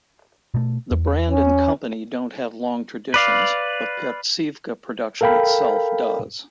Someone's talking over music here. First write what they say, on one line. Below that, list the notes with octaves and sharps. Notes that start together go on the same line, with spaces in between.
The brand and company don't have long traditions but pertsivka production itself does.
B2 A3
E2
C#4
B4 D5 F5
A4 A#4 F5 G5 B5